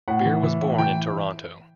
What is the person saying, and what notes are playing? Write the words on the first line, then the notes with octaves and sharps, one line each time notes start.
Beer was born in Toronto.
A2 F#5
E3
E3
A2
E3 G5